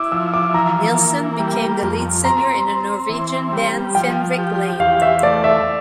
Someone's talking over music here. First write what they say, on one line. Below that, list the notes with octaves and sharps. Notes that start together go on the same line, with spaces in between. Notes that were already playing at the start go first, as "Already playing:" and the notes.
Nilsen became the lead singer in the Norwegian band "Fenrik Lane".
Already playing: E4 D6 E6
F3 E6
D6
E3 A#5
A#3
G3
F2
C4 A#5
C4
E3
G3
F3 G5
G4
E2 F5
E5
A3 D5
E5